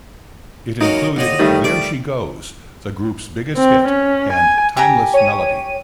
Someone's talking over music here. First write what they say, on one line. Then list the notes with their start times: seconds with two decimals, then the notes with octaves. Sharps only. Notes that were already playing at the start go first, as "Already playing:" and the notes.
It included "There She Goes," the group's biggest hit, and "Timeless Melody".
0.81 F#3 A#3 C#4 D#4
1.16 D#2 D3 D#5
1.39 D#3 G3 A3
1.64 D5
3.56 C4
3.88 C#4
4.32 G#5
4.77 G4 G#5 A#5
5.13 C#5 D#7